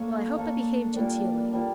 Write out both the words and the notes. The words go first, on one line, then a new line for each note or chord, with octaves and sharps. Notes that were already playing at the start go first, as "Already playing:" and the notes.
"Well, I hope I behave genteely?"
Already playing: A#3 D4 A4 C#5
A#3 D4 A4 C#5
A#2 G3 D4
A#2 G3 D4